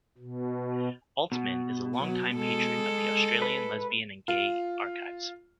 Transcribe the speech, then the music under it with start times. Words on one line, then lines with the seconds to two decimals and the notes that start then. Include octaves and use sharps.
Altman is a longtime patron of the Australian Lesbian and Gay Archives.
0.18 B2
1.32 B2
1.95 F#3 B3
2.33 G#3 A4
3.42 B4
4.28 F4